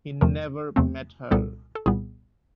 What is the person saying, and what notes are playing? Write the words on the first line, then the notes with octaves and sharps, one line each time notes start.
He never met her.
E2 C3 F3 A3 C4 A#4
E2 C3 F3 A3 C4
C2 A#2 G3 B3 A4
A4
C2 A#2 G3 B3 G#4